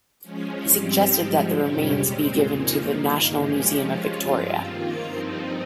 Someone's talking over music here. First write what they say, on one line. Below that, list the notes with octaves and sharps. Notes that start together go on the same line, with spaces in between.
He suggested that the remains be given to the National Museum of Victoria.
F3 G#3 C#4
G#2 G3 C4 G4
G#2 F3 G#3
F2 C3 G3 C#4 G4
A#2 G#3 C4
F2 C#3 F3 A#3 D#4
G2 D#3 A#3
F3 G#3 C#4 G4
F3 G#3 C#4 F4
G2 F3 C4 F4
D#3 A#3 F4
G2 F3 C4 D#4